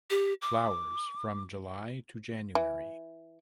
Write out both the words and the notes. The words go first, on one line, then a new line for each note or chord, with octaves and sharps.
Flowers from July to January.
G4
D6
E3